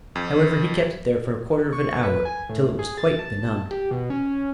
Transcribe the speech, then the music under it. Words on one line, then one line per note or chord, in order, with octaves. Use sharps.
However he kept it there for a quarter of an hour, till it was quite benumbed.
F2
C#6
B4
G#5
A2
G#4
A6
A5
G4
B2
C#4